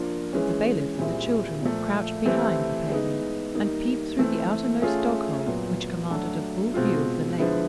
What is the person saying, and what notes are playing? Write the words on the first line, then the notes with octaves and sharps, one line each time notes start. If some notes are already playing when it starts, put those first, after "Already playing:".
The bailiff and the children crouched behind the paling, and peeped through the outermost dog-hole, which commanded a full view of the lake.
Already playing: F3 A#3 D4 F4 A#4
E3 G#3 C#4
A#2 G3 C4 E4 G#4
A#2 F3 A3
E3 A3 C4 E4 G4
G#3 B3 D#4
D#3 G3 A#3 D#4
E3 A3 C4
A3 C#4 F4 G#4
A#2 F#3 B3
F#3 A3 D4 F#4 A4
B2 G#3 C4 F4
D3 F3 G#3 B3 E4